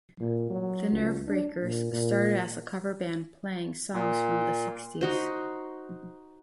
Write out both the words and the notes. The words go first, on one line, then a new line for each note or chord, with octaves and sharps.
The Nervebreakers started as a cover band playing songs from the sixties.
A#2
F#3
C#2
D4
A#2
A#2
A#2
D#4 F#4 C5